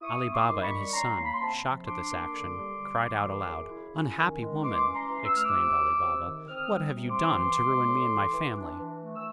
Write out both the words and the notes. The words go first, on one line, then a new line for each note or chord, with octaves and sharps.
Ali Baba and his son, shocked at this action, cried out aloud. "Unhappy woman!" exclaimed Ali Baba, "what have you done, to ruin me and my family?"
E4 C#6 D#6
B3
C6 D6
D#3
B5 C#6
G3
C#4 A#5 C6
A#3
B5
C6
C3 A5 B5
F3
D4 C6 D6
A#3
D3
G3
G3
E3
F#2
C#3
E4
C#4
D#3
G#3
E3 C6 D6
C#4
A#5 C6
E3
E6
A3 F6
D6 E6
C3
F#3
C3
D#3
C4 D#6 F6
G3
C3
C6 D6
E3
B3
G#3
A2
E3
E3
D4
E3
A3
E6